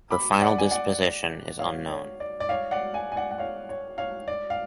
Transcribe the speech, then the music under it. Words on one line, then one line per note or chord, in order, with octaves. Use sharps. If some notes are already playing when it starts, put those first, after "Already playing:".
Her final disposition is unknown.
B5 D6
D5 F#5
G#5
D5 F#5
C#5 F5
C#5
D5
D5
C#5 F5
D5 F#5
F5 G#5
G#5
D5 F#5
F#5
C#5 F5
C#5
C#5 F5
D5
F5